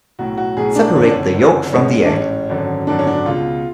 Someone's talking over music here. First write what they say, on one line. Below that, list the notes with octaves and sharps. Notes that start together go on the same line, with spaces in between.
Separate the yolk from the egg.
B1 A2 F#4
F#4
B1 A2 G#4
D4
F#1 F2 D3 C#4
D4
C#4
F#1 F2 D3
A1 G#2 C#4
D4
A1 G#2 C#4
G#1 F#2 D3
G#1 F#2 D3 D4
C#4
D4
C#2 B2 F4